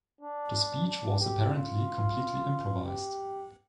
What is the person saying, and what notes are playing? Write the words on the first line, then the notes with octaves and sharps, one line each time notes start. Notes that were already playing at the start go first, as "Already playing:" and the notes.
The speech was apparently completely improvised.
D4
D4
G4
F4
G4